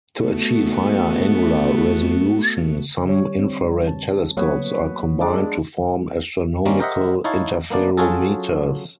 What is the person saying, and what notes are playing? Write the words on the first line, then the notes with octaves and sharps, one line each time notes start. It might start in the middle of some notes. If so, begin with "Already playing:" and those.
To achieve higher angular resolution, some infrared telescopes are combined to form astronomical interferometers.
A3 B3 F#4
D3 G3 C#5
C4
A5
F#3 A#3 B3 F#4 B4 C#5
G#3 D4 D5
D#3 G3 A#3 C4 C#4
G4 A#4 C5 D#5 E5 F#5
D#4 E4 C#5 F5 A5
A#3 B3 D4 D5
F#3 C#4 F4 F#4 G#4 A4